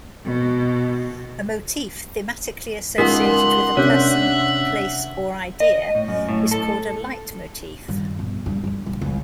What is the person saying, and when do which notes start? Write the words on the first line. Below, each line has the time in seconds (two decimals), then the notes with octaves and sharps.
A motif thematically associated with a person, place, or idea is called a leitmotif.
0.24 B2
2.98 C#2 D#4 A#4 F#5 C6
3.77 C3 C#4 D4 C#5 E5 F#5
5.60 D#5
5.95 A2
6.08 F#2
6.29 A2
6.51 A4
7.88 G2 D#3
8.19 B2
8.46 G2
8.64 G3
8.86 B1
9.01 C#2 G3